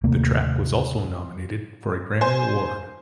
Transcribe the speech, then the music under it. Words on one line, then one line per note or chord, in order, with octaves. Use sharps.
The track was also nominated for a Grammy Award.
D#2 C3 A3 A#3
C5 G#5